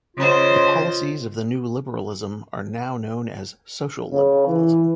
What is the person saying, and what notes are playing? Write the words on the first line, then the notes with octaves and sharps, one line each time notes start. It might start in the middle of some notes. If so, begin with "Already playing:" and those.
The policies of the New Liberalism are now known as social liberalism.
C#3 F4 C5 D#5
C#3
E3